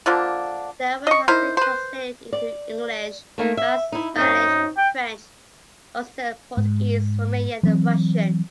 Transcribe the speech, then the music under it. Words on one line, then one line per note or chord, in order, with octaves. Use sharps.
Their work has been translated into English, Basque, Spanish, French, Occitan, Portuguese, Romanian and Russian.
D3 F3 A#3 D4
D#5 C#6
D#4 E4 A#4 C5
B4 C5
D5
A3 A#3 D#4
E5
D#4 E4
F#2 C4 C#4 D#4
G5
G#2
E3 F#3 C4